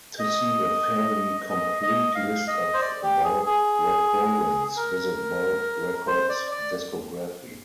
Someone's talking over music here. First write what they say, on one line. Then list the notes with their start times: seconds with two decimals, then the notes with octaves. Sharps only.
To see a fairly complete list of Bulb recordings, visit Bulb Records discography.
0.19 D#5
1.50 D#5
1.82 D#5
2.15 F5
2.48 D#5
2.73 C5
2.80 D5
3.03 G4
3.24 G#4
3.46 G#4
4.77 A#4
6.07 C5
6.29 D5
6.51 D5